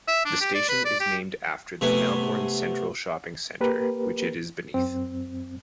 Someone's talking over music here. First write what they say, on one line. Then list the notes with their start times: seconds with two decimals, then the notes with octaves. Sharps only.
The station is named after the Melbourne Central Shopping Centre which it is beneath.
0.08 E5
0.25 D4
0.41 G4
0.54 D5
0.69 B4
0.85 D5
1.00 G4
1.81 C3 A3 B3 G#5
3.61 A#3 G4 A#4 B4
4.74 F#2 C4